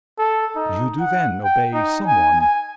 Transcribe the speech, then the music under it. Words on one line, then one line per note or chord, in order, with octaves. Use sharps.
"You do, then, obey some one?"
A4
D#4
F#5
G5
D#4
G#5
G#5